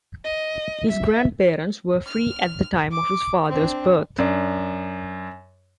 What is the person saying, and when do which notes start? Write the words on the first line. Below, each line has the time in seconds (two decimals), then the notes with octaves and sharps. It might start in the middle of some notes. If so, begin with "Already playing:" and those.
His grandparents were free at the time of his father's birth.
0.24 D#5
0.88 E5
2.07 F6
2.92 D6
3.49 C4 D4
4.18 F#2 D4